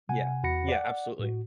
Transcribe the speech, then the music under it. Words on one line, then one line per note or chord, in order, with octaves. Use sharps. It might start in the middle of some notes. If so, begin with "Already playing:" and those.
Yeah, yeah, absolutely.
C3 F#5 G#5
E2 F#4 F#5 B5 A#6 C#7
D5 F#5
A2 F#4